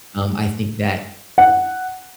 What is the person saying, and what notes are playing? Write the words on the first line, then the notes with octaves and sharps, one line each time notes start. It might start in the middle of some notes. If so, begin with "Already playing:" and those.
um, I think that
F#5